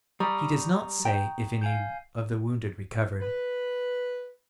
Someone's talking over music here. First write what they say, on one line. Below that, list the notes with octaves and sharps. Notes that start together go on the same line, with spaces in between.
He does not say if any of the wounded recovered.
G3 A#5 C#6 D#6
G5
F5 G#5 G6
B4